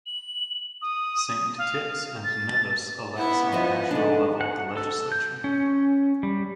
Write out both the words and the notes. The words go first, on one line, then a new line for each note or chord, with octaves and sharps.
Saint Kitts and Nevis elects on national level a legislature.
F#7
D#6
F5
A6
B3 E4 F#5
F3 D#5 E5
D3 G#3 D4 D#4
F#5
A4
G6
C#4
G3